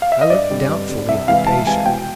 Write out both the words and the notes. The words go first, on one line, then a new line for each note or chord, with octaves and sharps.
I looked doubtfully at the patient.
F5
E5
D#5
G2 D5
D3 G3 C4
G2
D3 G3 C4
C2 E5
C3 E3 G#3 F5
C2 A5
C3 E3 G#3 G#5
B2 G5